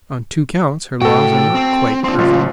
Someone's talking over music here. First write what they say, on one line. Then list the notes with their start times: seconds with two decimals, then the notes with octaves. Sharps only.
On two counts, her laws are not quite perfect.
1.02 A2 F#4 A4 G5
1.55 C4
2.04 F3 C4 D4 C6
2.19 A1 C#3 F#3 F4